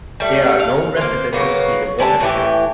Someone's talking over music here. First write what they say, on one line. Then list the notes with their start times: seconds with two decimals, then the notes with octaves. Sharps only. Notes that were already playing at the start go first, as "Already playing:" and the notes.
There are no residences in the watershed.
0.20 G3 A3
0.60 F5
0.97 A#3 F4 C5
1.33 C#3 F#3 A#3 B3
1.99 D3 G#3 G4 A5
2.20 A2 E3 G4